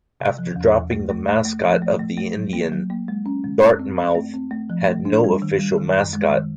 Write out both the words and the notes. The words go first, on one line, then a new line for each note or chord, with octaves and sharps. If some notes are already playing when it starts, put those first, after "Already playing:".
After dropping the mascot of the Indian, Dartmouth had no official mascot.
C3
F3
E2
E2
A3
A3
A3
A3
F3
A3
A3
A3
F#3
A#3
F#3
A#3
G#3
C#4
G#3
F#2
C4
C4
A3
C4
A3
F3
A3
D4
G3
D#3
G3
D#3
F#2
G#3
D#3